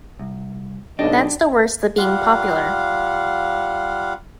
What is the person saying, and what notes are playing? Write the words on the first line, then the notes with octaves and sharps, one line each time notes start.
That's the worst of being popular.
C2
B1 D4 G4 D#5
G3 F4 F5 F#5